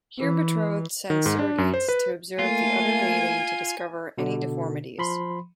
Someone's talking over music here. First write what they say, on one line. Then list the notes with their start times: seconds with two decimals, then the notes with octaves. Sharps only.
Here betrothed send surrogates to observe the other bathing to discover any deformities.
0.19 E3
1.10 D#3
1.26 G#2
1.39 D4
1.58 F#2
1.74 C5
1.89 B4
2.39 A3 A#3 F4 G#5
4.18 B2 D3
4.98 F3 B5 C6